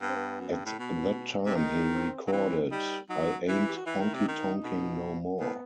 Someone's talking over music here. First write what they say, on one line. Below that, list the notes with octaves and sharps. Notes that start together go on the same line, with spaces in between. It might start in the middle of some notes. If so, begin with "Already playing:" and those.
At that time he recorded "I Ain't Honky Tonkin' No More".
G2 B3
C4
B3
F#2
G2
A2
B2 B3
C3 C4
D#3 D#4
C4
F#3
E3 C4
G3 D#4
F#3 D#4
E3 E4
G4
F#4
E3 E4
D#3
C3
E4
D#3 D#4
B2
A2 B3